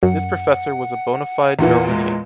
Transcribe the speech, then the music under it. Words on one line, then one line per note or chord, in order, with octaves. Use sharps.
This professor was a bona fide Darwinian.
F#2 F#5
E2 A#2 E3 F#5
G#3